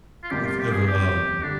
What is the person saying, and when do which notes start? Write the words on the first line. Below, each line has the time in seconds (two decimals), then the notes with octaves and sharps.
who's ever um,
0.23 F4
0.31 G1 F2 C3 G3 A#3 G4
0.45 F4
0.59 G4
0.73 G#4
0.86 G4
1.43 D3 G3 D4